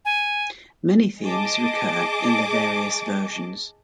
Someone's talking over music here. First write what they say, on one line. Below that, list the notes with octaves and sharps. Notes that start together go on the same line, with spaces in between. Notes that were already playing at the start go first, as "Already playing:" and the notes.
Many themes recur in the various versions.
G#5
G#4 D#5 A5 D6